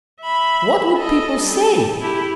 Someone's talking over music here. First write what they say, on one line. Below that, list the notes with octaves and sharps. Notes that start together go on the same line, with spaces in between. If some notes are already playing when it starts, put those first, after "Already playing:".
What would people say?
E5 B5
A4 D#5
G3 A4
E4 G4